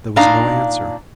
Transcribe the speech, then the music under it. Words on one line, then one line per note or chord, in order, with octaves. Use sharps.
There was no answer.
A#2 D4 D#4 F5 A#5